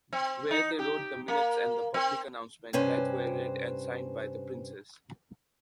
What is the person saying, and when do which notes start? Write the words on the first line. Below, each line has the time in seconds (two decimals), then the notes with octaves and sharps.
Where they wrote the minutes and the public announcement, that were read and signed by the princes.
0.13 C4
0.51 D#4
0.79 G4
1.28 A#3
1.94 C4
2.73 G2 C3 C#4 B4 C5